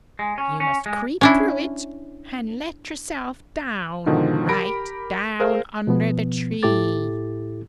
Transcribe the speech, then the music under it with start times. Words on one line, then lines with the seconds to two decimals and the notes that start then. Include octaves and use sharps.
You must creep through it and let yourself down, right down under the tree.
0.19 G#3
0.38 C#4
0.60 C#4
0.86 G#3
1.21 C#4 D4 E4
4.06 G#2 B2 D3 D#3 F3
4.49 G4 A#4 B5 A#6 D7
5.40 G#4 A#4 C5 F5
5.87 B2 F3 B3
6.63 A2 E4 G4 A4 D6 A6